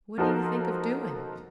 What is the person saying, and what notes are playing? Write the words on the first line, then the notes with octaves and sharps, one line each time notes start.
'What do you think of doing?'
F3 D#4 F#4 A4 A#4 C5